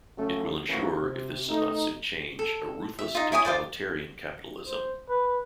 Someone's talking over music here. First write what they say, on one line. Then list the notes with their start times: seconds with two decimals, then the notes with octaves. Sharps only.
It will ensure, if this does not soon change, a ruthless totalitarian capitalism.
0.18 C#3 F#3 A3 C#4
0.68 D2 C#3 E3 A3 A#3 F#4
1.01 C3
1.49 A3 D#4
2.39 A4
2.99 E5
3.15 D#4 F4
3.32 E4 C#5 G#5 D#6
3.45 F4 C5 D5
4.67 C5
5.09 B4